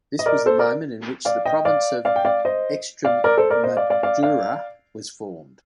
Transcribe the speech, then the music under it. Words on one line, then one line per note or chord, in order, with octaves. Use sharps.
This was the moment in which the province of Extremadura was formed.
D#5
A#4 D5
A4 C5
A#4 D5
D5 F5
D#5 G5
D5 F5
D5 F5
G5
D5 F5
C5 D#5
D5 F5
A#4 D5
A4 C5
A#4 D5
C5 D#5
D5 F5
D5 F5
D5 F5
D5 F5